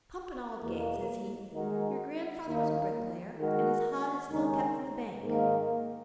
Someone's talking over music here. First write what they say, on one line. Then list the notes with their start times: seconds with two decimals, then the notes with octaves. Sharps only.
'Pump and Aldgate, says he, 'your grandfather was a bricklayer, and his hod is still kept in the bank.
0.61 E2 B2 A#3
1.53 D#3 G#3 D#4 F#4 A#4
2.46 D#2 D#3 A#3
3.37 D#3 G#3 D#4 F#4 A#4
4.30 D#2 C#3 G#3 D#4
5.22 G#2 D#3 A#3 D#4